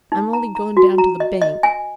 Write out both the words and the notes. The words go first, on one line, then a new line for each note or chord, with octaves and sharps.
"I'm only going down to the bank."
D#4
A#5
A#5
F#4
A#5
D#5
D#5
G#5